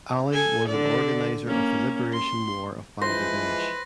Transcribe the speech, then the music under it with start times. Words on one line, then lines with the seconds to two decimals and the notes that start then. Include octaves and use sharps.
Ali was an organizer of the Liberation War of Bangladesh.
0.33 A4 G#5
0.69 D3 D5
1.47 A#3 C#4
2.13 C6
3.02 E3 F3 G#3 B4 C5 A#6